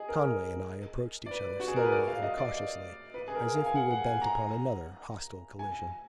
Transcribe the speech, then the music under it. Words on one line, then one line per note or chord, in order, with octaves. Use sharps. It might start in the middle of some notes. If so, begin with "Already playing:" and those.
Conway and I approached each other slowly and cautiously, as if we were bent upon another hostile collision.
Already playing: G#4 D#5
A#4
D5
B4
F#4
G#4
A#4
B4
D5
F5
D#5
D5
B4
G#4
A#4
F5
G#5
F#5
F#5
G#5
A#5
G#5